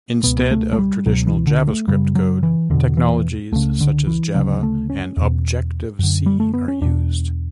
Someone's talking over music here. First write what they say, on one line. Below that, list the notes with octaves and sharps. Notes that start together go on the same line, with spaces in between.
Instead of traditional JavaScript code, technologies such as Java and Objective-C are used.
C#2 B2 B3
B3
A3
A3
G3
C#2 B2 F#3
E3
D3
A3
F#2 C#3 G3
F#3
E3
E2 B2 D3
E3
C#2 C#3 A3
D3
E3
D2 C#3 F#3
A3
C#4
E2 B2
F#2 D3
G3
A3
B3
C#4
E2 B2 D4